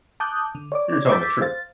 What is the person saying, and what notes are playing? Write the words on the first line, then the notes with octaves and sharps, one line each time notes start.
you're telling the truth.
A5 D6 D#6 F#6 G6
D3
C#5 D5 D6
D6 E6 G6 A6 B6
C5 F5 A6